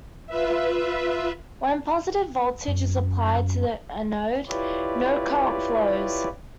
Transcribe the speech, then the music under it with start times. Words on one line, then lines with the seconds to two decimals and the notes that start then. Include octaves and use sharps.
When positive voltage is applied to the anode, no current flows.
0.27 F4 B4 E5
2.68 F#2
4.48 E4 F4 G4 B4 C#5 D5